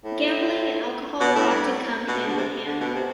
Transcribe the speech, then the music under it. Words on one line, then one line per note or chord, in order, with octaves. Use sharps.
Gambling and alcohol often come hand in hand.
A2
B2
A2
G2
B2
D3
C3
D3
B2
C3